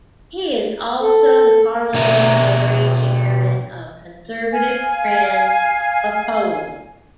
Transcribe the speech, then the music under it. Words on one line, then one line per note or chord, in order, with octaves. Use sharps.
He is also the Parliamentary Chairman of Conservative Friends of Poland.
A4
B2 D4 E5 A#5
F5 G#5